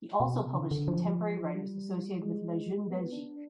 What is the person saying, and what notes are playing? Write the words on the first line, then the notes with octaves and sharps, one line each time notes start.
He also published contemporary writers associated with La Jeune Belgique.
B2
C3
D3
D3
F3
G3
G#3
B3
D4